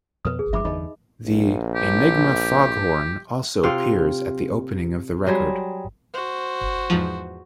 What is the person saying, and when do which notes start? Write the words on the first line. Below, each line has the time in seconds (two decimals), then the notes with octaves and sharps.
The "Enigma foghorn" also appears at the opening of the record.
0.25 F2 B2 B4 D#6
0.39 D2 G#4
0.53 G2 F3 G#3 E5 B5 D6
0.64 E2 G2 D3 D#4 D#5 B5
1.23 A#1
1.75 G4
3.63 C3 F4 F5 G5
5.27 F#3 G3 G#4 C5
6.14 F#4 C5
6.90 E2 G#2 F3